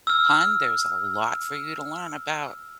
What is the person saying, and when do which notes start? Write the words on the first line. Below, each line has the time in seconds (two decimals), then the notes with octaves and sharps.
hon, there's a lot for you to learn about
0.07 E6 F6